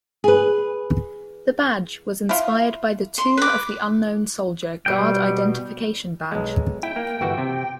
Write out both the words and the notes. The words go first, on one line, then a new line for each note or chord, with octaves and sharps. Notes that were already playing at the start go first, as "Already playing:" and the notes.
The badge was inspired by the Tomb of the Unknown Soldier Guard Identification Badge.
G#4 B4
E4 F4
C6
B4 D6
B2 G3 G5
B1 G#3
E4 G5
A#3
G1 E3 F#4
C3